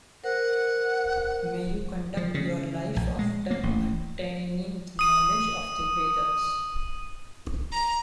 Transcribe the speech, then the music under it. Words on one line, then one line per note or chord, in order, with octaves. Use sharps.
May you conduct your life after attaining the knowledge of the Vedas.
A#4 C5 F#5
F3
C#3
A#1
G#3
A#3
A1
D#6 D#7
A#5